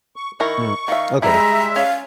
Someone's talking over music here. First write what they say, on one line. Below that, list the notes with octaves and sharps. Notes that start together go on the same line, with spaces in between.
Mm. Okay, I see
C#6
D#3 E4 A#4 C#6
D#3 E5 F5
G3 G#3 E4 E5 A#5
C#4 F5